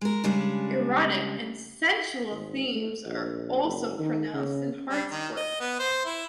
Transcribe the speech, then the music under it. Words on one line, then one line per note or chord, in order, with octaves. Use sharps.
Erotic and sensual themes are also pronounced in Hart's work.
G#3 A#4
C#3 G3 G#3 D4
G#1
A3
A#1
F#1
D#3
C#3
G3
D#3
D#5
B3
C5
E4